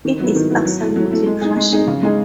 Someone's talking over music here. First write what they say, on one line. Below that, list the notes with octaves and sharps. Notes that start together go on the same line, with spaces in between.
It is absolutely crushing.
D#3
F#3 B3 E4
D#3
F#3 B3 E4
F#3
A3 E4
F#3
A3 E4
G#3
D#4 G#4
G#3
D#4 G#4
C#3
G#3 D#4 G#4